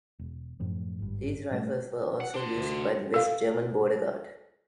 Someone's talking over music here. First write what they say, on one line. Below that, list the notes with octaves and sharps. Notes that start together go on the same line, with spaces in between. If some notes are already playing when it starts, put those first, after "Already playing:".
These rifles were also used by the West German border guard.
E1
F#2 A2 F3
G#1 G2
A2 G3 A3 C#4
F#5
D4 C6
D2
A4 F5